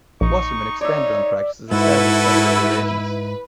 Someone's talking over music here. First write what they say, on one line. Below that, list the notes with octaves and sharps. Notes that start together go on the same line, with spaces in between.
Wasserman expanded on practices established by earlier agents.
A#1 D#4 C#6
D#4 C#5 D5 E5
G#2 E4 F#4 A4 B4